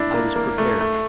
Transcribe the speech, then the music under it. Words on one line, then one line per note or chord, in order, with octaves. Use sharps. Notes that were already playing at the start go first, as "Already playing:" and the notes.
I was prepared.
Already playing: D4 E4
A#3
A#3
A3
A3